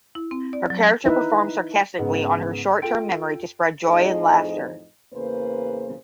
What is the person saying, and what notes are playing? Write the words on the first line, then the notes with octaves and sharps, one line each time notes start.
Her character performs sarcastically on her short term memory to spread joy and laughter.
E4
C4
D5
F#3
D#4 E4 B4 E5
G#2 C#3 B3 G#4
F4 A4 G5 D7
F2 A2 F3 D#4 G#4 D#5
E2 C#3 A#3 B4 C5